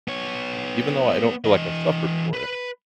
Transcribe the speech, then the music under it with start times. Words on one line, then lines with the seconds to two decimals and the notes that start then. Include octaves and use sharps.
even though I don't feel like I suffered for it.
0.08 B3 C#5
1.44 E3 D#5
2.33 B4 B5